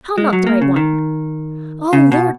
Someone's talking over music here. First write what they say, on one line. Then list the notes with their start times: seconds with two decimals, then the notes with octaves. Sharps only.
How not the right one?... O Lord!
0.18 G#3
0.33 F#3
0.47 A#3
0.62 C#3
0.76 D#3
1.93 C#3
2.12 B2